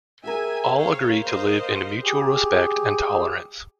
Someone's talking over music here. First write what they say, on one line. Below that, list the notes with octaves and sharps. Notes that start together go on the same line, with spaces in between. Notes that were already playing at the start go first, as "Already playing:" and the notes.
All agree to live in mutual respect and tolerance.
G4 G#4 A#4 E5 G#5
C5 C#5 F5
C5 D#5 F5
G4 G#4